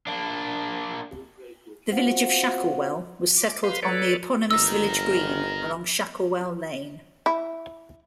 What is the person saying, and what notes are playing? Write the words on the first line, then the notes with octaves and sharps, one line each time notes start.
The village of Shacklewell was settled on the eponymous village green, along Shacklewell Lane.
A#3 D4
C4 F4 F#4
D6
B4 F5 C6 G6
A4 B4 C#5 D5
G1 A#4 D#5 E6
E4